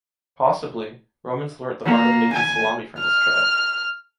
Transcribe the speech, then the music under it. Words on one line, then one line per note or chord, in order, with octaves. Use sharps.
Possibly, Romans learnt the art of making salami from this tribe.
A#3
G#5
F6